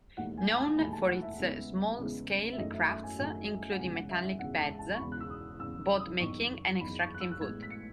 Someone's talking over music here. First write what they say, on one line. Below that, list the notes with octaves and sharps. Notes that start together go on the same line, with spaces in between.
Known for its small-scale crafts including metallic beds, boat-making and extracting wood.
E1 D#2 D#3 A3 F#5
G#5
A5
E1 D#2 D#3 A3 B5
A5
F#5
E5
E2 C#3 G#3 B3
E2 C#3 G#3 B3
E5
F#2 D#3 A3 D#5
E5
E5
G#5
F#2 D#3 A3 G#5
F#5
E1 E2 C#3 G#3 G#5
F#5
E5
E5
E1 E2 C#3 G#3 F#5
A5
A5
C#6
E1 E2 C#3 B5
F#6
E6
D#6
E1 E2 C#3 E6
D#6
F#1 E2 D#3 C#6
F#1 E2 D#3 B5
C#6
F#6
E6
F#6
A1 A2 G#3 B3 G#6
B6
C#7